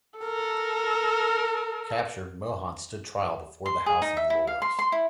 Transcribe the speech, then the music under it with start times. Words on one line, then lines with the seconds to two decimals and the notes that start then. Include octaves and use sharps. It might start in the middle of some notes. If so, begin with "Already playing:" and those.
Captured, Mohun stood trial before the House of Lords.
0.20 A4 A#4
3.66 C6
3.86 G#4
4.02 D#4
4.17 E5
4.30 E4
4.47 F5
4.62 C6
4.79 C6
4.92 E4